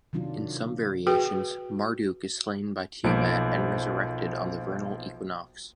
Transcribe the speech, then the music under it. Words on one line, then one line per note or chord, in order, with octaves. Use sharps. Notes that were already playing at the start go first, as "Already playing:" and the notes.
In some variations, Marduk is slain by Tiamat and resurrected on the vernal equinox.
C3 D#3 F#3 D4 F4
F#4 G#4 B4 G5
B1 F3 A#3 D7